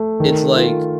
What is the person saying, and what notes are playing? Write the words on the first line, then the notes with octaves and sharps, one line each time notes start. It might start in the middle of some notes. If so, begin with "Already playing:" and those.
it's like,
Already playing: A3
D#3
F4